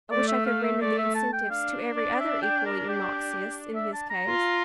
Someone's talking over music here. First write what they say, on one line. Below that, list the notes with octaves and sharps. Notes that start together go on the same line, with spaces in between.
I wish I could render the incentives to every other equally innoxious in his case.'
A3 D5
E5
F5
E5
A3 D5
E5
A5
G5
D4 F5
D5
E5
G5
A#4
G4
E5
A5
A#5
F4